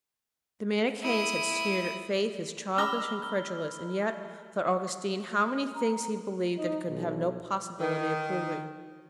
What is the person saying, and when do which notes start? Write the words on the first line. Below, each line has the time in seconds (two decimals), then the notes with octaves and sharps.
The Manicheans had sneered at faith as childish and credulous; and yet, thought Augustine, how many things he believed that he could have no possibility of proving.
1.02 E4 D#6
2.78 C#4 A#5 B5 D6 E6 F6 A#6 G7
5.75 A#5
6.58 D#4
6.89 B1
7.80 D#3